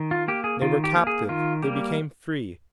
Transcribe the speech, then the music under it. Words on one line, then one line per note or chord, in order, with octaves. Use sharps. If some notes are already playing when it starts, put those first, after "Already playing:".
They were captive; they became free.
Already playing: D#3
F4
A#3 G4
G#4
D#3 F4
G4
A#3
G#4
D#3 F4
G3 A#3 G4